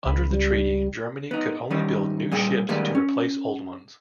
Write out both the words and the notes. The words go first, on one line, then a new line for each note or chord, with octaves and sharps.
Under the treaty Germany could only build new ships to replace old ones.
C#2 B5
G3
B3 D#4
D#3 G3 C#4 D#4
A#2 G3 G#4
D#3 G3 G#3 A#3 B3
C#4